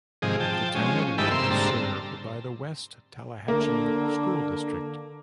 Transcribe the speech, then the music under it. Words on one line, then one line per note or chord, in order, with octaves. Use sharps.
The Town of Webb is served by the West Tallahatchie School District.
G#2 C3 D#3 F3 G#4
F3 G5 A5
F3 G#3 C#4
G2 D#3 E4 A4 G5 B5
C3 A#3 C6 E6
G#2 D3 G3 C4 A5 A#5
D3 A#3